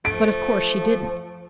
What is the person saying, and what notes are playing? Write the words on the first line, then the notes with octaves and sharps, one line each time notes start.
But of course she didn't.
F3 A3 D7